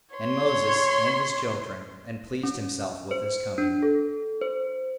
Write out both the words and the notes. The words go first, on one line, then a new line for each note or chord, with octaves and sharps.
And Moses and his children, and pleased himself with his coming.
C#5 C6
C#4
C5
D4
A4
C5